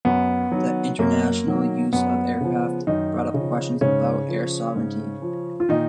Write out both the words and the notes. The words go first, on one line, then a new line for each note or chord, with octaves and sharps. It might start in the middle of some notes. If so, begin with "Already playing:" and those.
The international use of aircraft brought up questions about air sovereignty.
F#2 B3
D#3 F#3
F#2 A#3
D#3 F#3
F#2 B3
C#3 F3
F#2 D#3 D#4
C#3 F3
G#2 C#3 C#4
F3
G#2
F3
F4
A#2 D#3 D#4